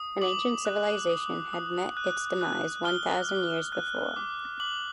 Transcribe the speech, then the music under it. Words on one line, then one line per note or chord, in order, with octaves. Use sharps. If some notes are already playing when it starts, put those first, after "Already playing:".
An ancient civilization had met its demise one thousand years before.
Already playing: D#6
D6 F#7
F#6
D#6
D#6
F#6
F#6
F6 G7
F6
F#6
D6
D6 F#7